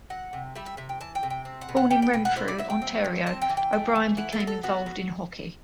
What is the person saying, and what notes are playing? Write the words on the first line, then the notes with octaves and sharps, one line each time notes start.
Born in Renfrew, Ontario, O'Brien became involved in hockey.
F#3 F#5
C3
G3 E5
E5
C3 E5
G5
E3 A5
G5
C3
G5
C4
F#5
B2
F#5
G3 G5
G5
B2 G5
F#5
E4 C5
D5
F#3 E5
G5
C4
F#3
C4 A5
G5
E3
G5
A3
E3
E4 F#5
A4
F#3
A4
B3 F#4
F#3